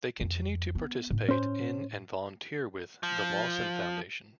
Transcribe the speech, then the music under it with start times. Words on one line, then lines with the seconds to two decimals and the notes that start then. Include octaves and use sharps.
They continue to participate in and volunteer with the Lawson Foundation.
0.20 F2
0.75 B3
1.11 A2
1.29 C#4 C5
3.03 F3